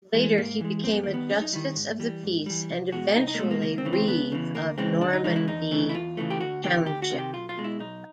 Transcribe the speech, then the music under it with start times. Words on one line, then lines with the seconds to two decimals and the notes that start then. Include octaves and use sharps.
Later he became a Justice of the Peace and eventually, Reeve of Normanby Township.
0.14 E3 G#3
0.37 G#2 A#3
0.61 E3 G#3
0.83 F#2 C4
0.93 B3
1.03 D#3 G3 A#3
1.14 B3
1.30 F#2 C#4
1.41 D#4
1.53 D#3 G3 E4
1.76 G#2
2.00 E3 G3
2.23 G#2
2.46 E3 G3
2.69 C2
2.92 B2 G#3 F#4
3.16 C2 D#4
3.27 D#4
3.35 A#3
3.39 B2 G#3 A3
3.51 A#3
3.62 C#2 A#3
3.78 C4
3.85 C#3 E3
3.93 C4
4.08 C#2 B3
4.32 C#3 E3
4.55 D2 A#3
4.78 C#3 E3 G#3 C4
5.01 D2 D4
5.13 D#4
5.24 C#3 E3 G#3 D#4
5.36 E4
5.48 E2 D#4
5.71 C#3 E3 A3
5.89 E4
5.94 E2 F4
6.17 C#3 E3 A3
6.30 G4
6.40 D2 F#4
6.64 C3 D#3 G4
6.86 D2 G4
7.02 F#4
7.10 C3 D#3
7.19 G4
7.33 B1 F4
7.49 F4
7.57 B2 G#3
7.64 E4
7.79 B1 D#4